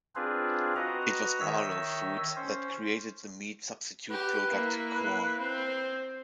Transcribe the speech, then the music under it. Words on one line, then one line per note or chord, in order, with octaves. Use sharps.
It was Marlow Foods that created the meat substitute product Quorn.
C4 D4 F4 G#4 B4
F#4 B4 D#5 A#5
D#3 C#5 D#5 E5 E6
C#4 C5
G4 B4
A#3 E4
C4